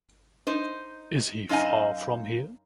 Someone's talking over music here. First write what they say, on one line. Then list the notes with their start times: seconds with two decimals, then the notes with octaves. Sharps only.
Is he far from here?
0.47 D#4 C5
1.49 F#2 D#4 D#5 F5 G#5